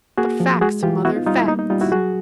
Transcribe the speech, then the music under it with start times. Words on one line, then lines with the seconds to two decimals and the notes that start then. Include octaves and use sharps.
"But facts, mother, facts!"
0.18 A#3 F#4 G#4
0.40 F3
0.61 G#3 F#4 G#4
0.83 E3 F4 G4
1.05 B3 E4 F#4
1.16 D#4 F4
1.26 G3 D#4 F4
1.37 E4
1.48 A#3 D#4
1.59 D#4
1.70 G3 D#4 F4
1.81 E4 F#4
1.92 F#3 F#4 G#4